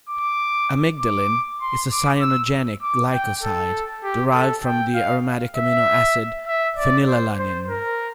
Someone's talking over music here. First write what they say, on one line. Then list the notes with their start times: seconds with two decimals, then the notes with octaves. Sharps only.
Amygdalin is a cyanogenic glycoside derived from the aromatic amino acid phenylalanine.
0.09 D6
1.00 D6
1.61 C6
1.91 D6
2.21 E6
2.82 D6
3.12 G5
3.43 A4
4.03 G4
4.34 A4
4.64 G5
4.95 F5
5.56 E5
6.47 E5
6.77 D5
7.07 C5
7.38 C5
7.68 A#4